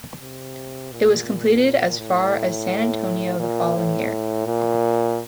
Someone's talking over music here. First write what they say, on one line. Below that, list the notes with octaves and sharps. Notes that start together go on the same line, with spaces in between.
It was completed as far as San Antonio the following year.
C3
A#2
A2
A#2
A2
A#2